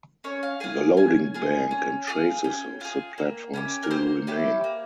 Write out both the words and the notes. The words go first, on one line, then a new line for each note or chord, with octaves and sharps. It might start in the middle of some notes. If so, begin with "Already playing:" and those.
The loading bank and traces of the platform still remain.
C#4 C#5
F5
F4 G#4 G#5
C#4 G#5
F4 G#4
C#4
F4 G#4
C#4 G5
F4 G#4
A#3
C#4 E4 G4
A#4
A#3 C5
C#4 E4 G4
A#3